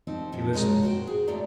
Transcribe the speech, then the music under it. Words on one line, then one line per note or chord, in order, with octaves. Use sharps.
He listened.
F3 C4 D#4 G4
F2 C3 F3
F3 G#3 C#5 D5 A#5
F#4 C5 G5
G#4
A2 A3 C#4 C5 D5 A#5